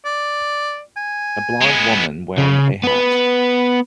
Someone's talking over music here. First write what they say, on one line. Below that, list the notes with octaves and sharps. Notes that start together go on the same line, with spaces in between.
A blond woman wearing a hat.
D5
G#5
G#3 B3
C#3
B3 B4